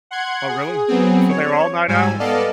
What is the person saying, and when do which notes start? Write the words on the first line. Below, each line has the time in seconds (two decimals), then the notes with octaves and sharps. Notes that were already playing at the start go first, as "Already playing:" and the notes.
Oh, really? S So they're all night owls?
0.11 F#5 C6 F#6 G#6
0.49 G#4
0.87 F#3 B3 C4 G#4
1.29 C#5
1.88 G#2 G3 G#5 E6
2.19 B3 A4 D5 D#5 F5 A5